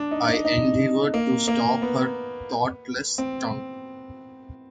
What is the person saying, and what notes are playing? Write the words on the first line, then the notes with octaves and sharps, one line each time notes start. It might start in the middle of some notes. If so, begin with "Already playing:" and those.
I endeavoured to stop her thoughtless tongue.
Already playing: D4
D#4
D#4
D#4
A#3
A#3
B3
C4